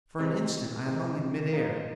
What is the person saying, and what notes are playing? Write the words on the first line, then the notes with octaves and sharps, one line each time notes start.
For an instant I hung in mid air.
C3 D#3 G#3 C4 D#4
C3 D#3 G#3 C4 D#4
F3 A#3 D#4